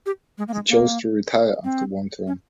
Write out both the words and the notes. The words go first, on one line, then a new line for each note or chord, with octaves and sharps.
He chose to retire after one term.
G4
G#3
A#3
G#3
A#3
C4
C#4